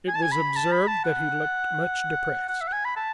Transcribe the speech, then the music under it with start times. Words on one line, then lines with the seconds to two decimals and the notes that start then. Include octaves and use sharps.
It was observed that he looked much depressed.
0.08 G#5
0.15 A5
0.22 G#5
0.32 B5
0.56 A5
0.72 B5
0.88 A5
1.04 F#5
2.49 F#5
2.61 E5
2.68 F#5
2.72 G#5
2.85 B5
2.97 A5